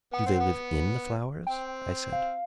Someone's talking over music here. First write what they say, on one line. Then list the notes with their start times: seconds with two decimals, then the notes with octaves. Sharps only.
"Do they live IN the flowers?" I said.
0.13 B3 F#5
0.26 C4
0.40 B3
1.46 C4 G5
2.12 F5